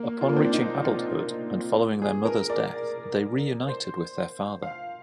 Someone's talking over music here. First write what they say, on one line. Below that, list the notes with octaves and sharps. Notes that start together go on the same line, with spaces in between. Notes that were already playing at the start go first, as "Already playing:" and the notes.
Upon reaching adulthood, and following their mother's death, they reunited with their father.
Already playing: A#3
F4
A#3
C4
D4
D#4
F4
G#4
A#4
D5
C5
F5